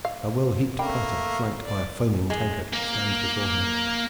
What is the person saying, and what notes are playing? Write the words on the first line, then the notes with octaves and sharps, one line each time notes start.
A well-heaped platter flanked by a foaming tankard stands before him.
F5
A3 A#3 D4 G5 B5
D5
G#3
A#3